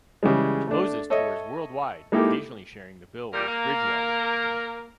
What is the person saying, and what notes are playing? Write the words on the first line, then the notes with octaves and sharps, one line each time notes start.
Moses tours worldwide, occasionally sharing the bill with Bridgewater.
C#3 E3 G3 G#3
A3 D4
A4 C#5 D#5 E5
G#3 A#3 D#4 E4 G4 A4
A#2 G3 A#4
A#3